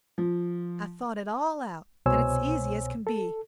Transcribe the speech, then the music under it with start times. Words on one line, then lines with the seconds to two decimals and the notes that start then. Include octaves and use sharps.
I've thought it all out, an' it's easy as can be.
0.18 F3
2.06 C2 B2 C5 C#5 G#5 E6
3.07 A4